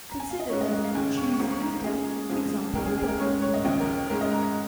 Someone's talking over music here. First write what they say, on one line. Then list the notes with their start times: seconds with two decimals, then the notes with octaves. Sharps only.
Consider the "Choose a Leader" example above.
0.10 A#5
0.20 G#5
0.30 F5
0.40 D#5
0.49 G#2 G#3 C#4 C#5
0.61 D#5
0.73 D#5
0.84 F5
0.94 D#2 C#3 G#3 C#4 G#5
1.17 C#6
1.34 C#6
1.39 C#2 C#3 F3 A#3 A#5
1.52 C#6
1.62 A#5
1.84 A#2 G#3 C#4 G#4
2.30 F2 C#3 F3 G#3
2.75 D#2 D#3 A#3 C#4 A#4
2.86 G#4
2.97 G#4
3.08 A#4
3.19 G#2 G#3 C#4 C#5
3.42 C#5
3.54 D#5
3.64 D#2 C#3 F3 D#5
3.80 A#4
4.09 G#2 G#3 C#4 A#4
4.21 D#5
4.32 A#5
4.43 A#5